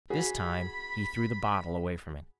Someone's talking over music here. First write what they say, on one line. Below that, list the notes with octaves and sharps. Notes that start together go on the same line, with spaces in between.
This time he threw the bottle away from it.
F#4 G#4 B5